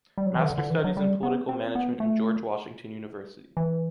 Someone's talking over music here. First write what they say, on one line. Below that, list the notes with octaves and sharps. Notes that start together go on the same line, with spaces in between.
Master Studies in Political Management in George Washington University.
G3
F#3
E3
D3
D3
E3
F#3
G3
B3
C4
B3
A3
E3